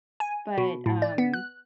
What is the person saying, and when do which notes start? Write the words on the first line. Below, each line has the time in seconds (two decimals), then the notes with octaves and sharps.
But, um,
0.20 G#5
0.58 B2
0.86 A2
1.02 D5
1.18 B3
1.34 F#6